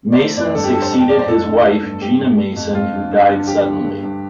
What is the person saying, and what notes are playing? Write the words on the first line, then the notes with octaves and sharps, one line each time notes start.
Mason succeeded his wife Gina Mason who died suddenly.
D5
A3 C5
F2 D5
G2 A4
G4
D3 A4
C5
F2 A5
G5
F3 D5
C5
F2 A4
D3
A3
G2
C4 G4
G2
A3
F2
C4 F4
D3
G2
D3
F3 G4
D2
G2
G2